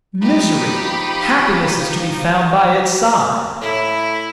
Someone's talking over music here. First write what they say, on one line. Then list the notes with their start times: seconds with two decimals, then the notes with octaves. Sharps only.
Misery!--happiness is to be found by its side!
0.22 F3 D#4 G4 B5
3.62 A2 E4